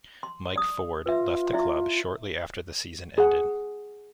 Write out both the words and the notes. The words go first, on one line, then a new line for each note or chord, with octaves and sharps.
Mike Ford left the club shortly after the season ended.
C6
D5 D#6
F4 B4 E5
E4 D5 E5
G#4 F#5